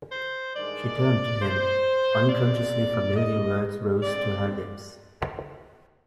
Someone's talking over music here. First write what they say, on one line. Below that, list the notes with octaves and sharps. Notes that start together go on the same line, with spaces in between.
She turned to him; unconsciously familiar words rose to her lips.
C5
G2 D#3 G#3 D5
C5
A#2 G#3 C4 D5
D#5
D3 G#3 C4 D5